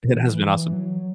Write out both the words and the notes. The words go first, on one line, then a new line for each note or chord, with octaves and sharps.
It has been awesome.
D3
E3
E3
E3
F#3